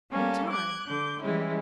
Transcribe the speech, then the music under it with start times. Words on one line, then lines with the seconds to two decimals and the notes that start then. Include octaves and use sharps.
In time!
0.12 G3 A#3 C#4 A4
0.50 D6 F#6 G#6
0.87 D3 D6 G6
1.22 E3 G3 G#3 C#4 E4